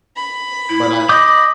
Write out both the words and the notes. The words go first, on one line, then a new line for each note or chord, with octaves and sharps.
But I
B5
E4
D#5 D6 D#6 G6